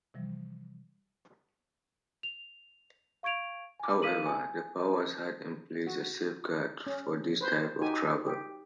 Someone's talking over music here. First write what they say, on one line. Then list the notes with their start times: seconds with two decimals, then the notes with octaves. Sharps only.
However, the Powers had in place a safeguard for this type of travel.
0.14 C3 E3 F3 G3
2.23 F7
3.23 F5 C#6 G#6 D7 F7
3.80 G#5 D6
4.02 A4 A#4 F5 B6 D#7 F#7
4.26 G#5
5.87 F#4
6.86 C#4
7.41 B4 C5
7.81 D#4 F#4 G4 G#5
8.26 G4